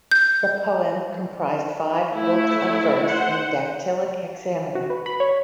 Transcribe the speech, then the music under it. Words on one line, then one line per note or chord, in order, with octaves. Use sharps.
The poem comprised five books of verse in dactylic hexameter.
G6
A3 E4
C5 F#5
F#4
B4
B5
C#5